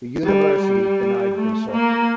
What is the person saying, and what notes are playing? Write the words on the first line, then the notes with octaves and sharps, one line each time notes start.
The university denied this offer.
G3
G3
A3
A#3